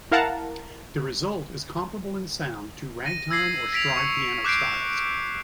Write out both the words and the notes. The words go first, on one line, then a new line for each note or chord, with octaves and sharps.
The result is comparable in sound to ragtime or stride piano styles.
E4 A#4 F5 F#5 A5 A#5
A#6 D#7
E6 G#6 A#6 C7
A#6 B6 D7 F7
C#6 C#7
D6 F#6 G6 C7 D7